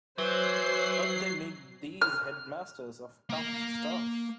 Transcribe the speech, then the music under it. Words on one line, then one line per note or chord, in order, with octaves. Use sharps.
But they make these head masters of tough stuff.
E3 F#3 C5 C7
F6
A#3 A#5